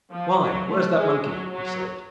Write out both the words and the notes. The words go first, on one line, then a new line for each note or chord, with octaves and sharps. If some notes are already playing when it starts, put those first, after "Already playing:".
"Why, where's that monkey?" he said.
F3
F#3
A3
G#3
F#3
F#3